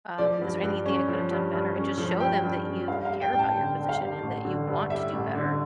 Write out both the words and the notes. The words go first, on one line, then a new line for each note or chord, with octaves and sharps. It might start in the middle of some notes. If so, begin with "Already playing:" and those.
um, is there anything I could have done better?" And just show them that you care about your position and that you want to do better,
F3 D5
G2
G2
C#4
F3
G2
G2
C#4
F3
G2 G5
G2
C#4
G2 F5
F5
G3
G5
A1 G5
A5
D3 G5
G2
G5
F5
G3
A1
D3
G2
G3 E5
A1
D3